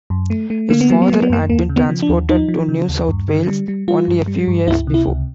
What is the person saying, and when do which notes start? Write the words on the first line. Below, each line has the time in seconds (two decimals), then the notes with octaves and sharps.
His father had been transported to New South Wales only a few years before.
0.10 F#2
0.30 A3
0.50 A3
0.70 D3 A#3
0.81 B3
0.90 F#3 A#3
1.02 B3
1.10 F#3 A#3
1.22 B3
1.30 F#2 A#3
1.50 D#2 A#3
1.69 C#3
1.76 B3
1.89 F3
2.02 D4
2.09 D#2
2.29 F3 D#4
2.49 F3
2.69 C#3
2.89 D#2
3.08 G2
3.28 D3
3.48 G3
3.68 G3
3.88 G3 F4
4.08 G2
4.28 G3
4.48 G2
4.67 C#2 E4
4.87 C3
4.94 E4
5.07 C#2